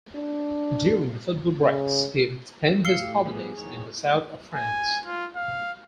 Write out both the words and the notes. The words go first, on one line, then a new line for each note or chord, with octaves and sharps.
During the football breaks he would spend his holidays in the south of France.
D4
C#3
A2 G4 F5 E6 F6 C7 C#7 G7
F3 G3 B3 G#4
E2 G#2 D#3 C#5
G#5
F4
F5